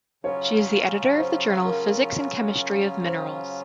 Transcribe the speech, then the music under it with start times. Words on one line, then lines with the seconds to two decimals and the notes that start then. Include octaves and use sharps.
She is the editor of the journal "Physics and Chemistry of Minerals".
0.24 C#3 F#3 C#4 F4 C#5
1.18 C5
1.65 A#4
3.05 C5